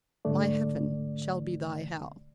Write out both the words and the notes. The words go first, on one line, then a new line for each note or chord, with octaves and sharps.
My heaven shall be thy hell.'
G#2 D3 A3 D5